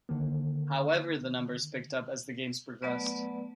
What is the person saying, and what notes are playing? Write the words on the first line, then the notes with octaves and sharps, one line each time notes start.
However the numbers picked up as the Games progressed.
D3 D#3 A#3
F#3 A3 B3 B4 D5